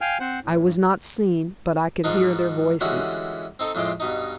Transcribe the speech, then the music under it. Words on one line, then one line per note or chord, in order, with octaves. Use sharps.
I was not seen, but I could hear their voices.
F5 G5 G#5 F6
C4 C5 F#5
A2
G2
G#2 F3 D4 D#4
D3 E3 G3 G#3 C#4 F#4
C4 D#4 A4
F2 A2 G#3 C6 D6
G2 B2 D#4